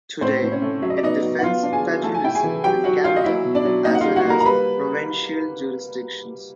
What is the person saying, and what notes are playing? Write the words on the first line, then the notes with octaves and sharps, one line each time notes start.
Today, it defends federalism in Canada as well as provincial jurisdictions.
A2 C4 C5
A2
C#4 C#5
A3
F#3 E5
D#5
D5
B3 D#4 D#5
F#3
F#5
B3 F4 F5
D4
G#4 G#5
F#3
A3 A5
G#5
E4 G5
G#4 G#5
E3
F#3 G4 G5
F#3 F#4 F#5
F#3 F4 F5
D#5
F#3 E4 E5
B2
D4 D5
F#3
A#3 D#4 D#5
F#5
G3 F4 F5
F#4 F#5
A#3
A#4 A#5
A#5
G3 B4 B5